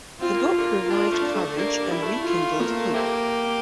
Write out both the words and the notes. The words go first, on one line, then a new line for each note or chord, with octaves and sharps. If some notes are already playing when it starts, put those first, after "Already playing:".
The book revived courage and rekindled hope.
C4 F4
A#3
A3
D3 G3 A#3 F4
D4 F4
D3 F3 A3
D4
A3
D3 G3 A#3 D4
G3
E4
A3
F4
A#3
C4 E4 G4